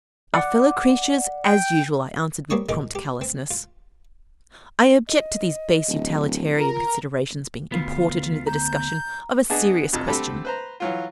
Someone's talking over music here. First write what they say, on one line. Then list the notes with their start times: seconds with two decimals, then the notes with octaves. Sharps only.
'Our fellow-creatures, as usual,' I answered, with prompt callousness. 'I object to these base utilitarian considerations being imported into the discussion of a serious question.
0.34 D5 F#5
1.45 G5
2.50 G3 A#3 C4 C#5 C#6 D#6
2.69 A#1 D#4 A#4 D6
2.95 G4
3.21 C4
3.51 F4
5.08 D#5
5.88 D1
6.56 F4 A#4
7.72 D2 B3 F4
8.47 A#5 G6
9.50 B3 D4 G#4 D#5 A5
9.93 F2 C3
10.08 D3 A3 C4 G4 A4 B5
10.45 B4 C5 A#5
10.80 E3 F#3 F4